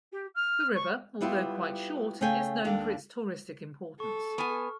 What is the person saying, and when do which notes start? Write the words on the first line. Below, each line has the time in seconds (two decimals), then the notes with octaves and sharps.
The river although quite short is known for its touristic importance.
0.12 G4
0.35 F6
0.74 C#6
1.21 G3 B3 E4 F4 G4
2.21 C#3 A3 C#5 F5 G5 G#5
2.64 D#2 D4 A4 F5
4.00 A4 C#6
4.38 B3 G#5 C#6 F6